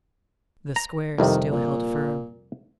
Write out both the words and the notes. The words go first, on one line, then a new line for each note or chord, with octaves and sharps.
The squares still held firm.
A#5
C2 F2 C3 D#3
A#2